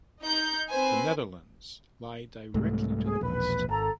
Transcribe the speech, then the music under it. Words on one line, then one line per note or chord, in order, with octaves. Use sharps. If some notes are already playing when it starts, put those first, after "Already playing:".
The Netherlands lie directly to the west.
D#4 G6
C4 B4 C5 G#5
C2 G#2 A3
G#4
E1 A#1 B4
G#1 A4 A#5